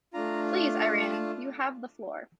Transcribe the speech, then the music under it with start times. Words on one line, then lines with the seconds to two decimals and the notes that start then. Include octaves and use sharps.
Please, Iran, you have the floor.
0.13 A3 D4 F4 A#5
1.01 A5
1.12 A5